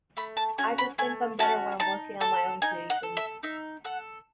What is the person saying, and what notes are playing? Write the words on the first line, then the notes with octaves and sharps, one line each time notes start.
I just think I'm better when I'm working on my own creations.
A3 B5
A5
C#4 F#4 G#5
B5
A3 G#5
C#4 F#4 A5
D#4 A5
A4 A5
D#4 G#5
F#5
A4
E5
D#4 E5
A4 F#5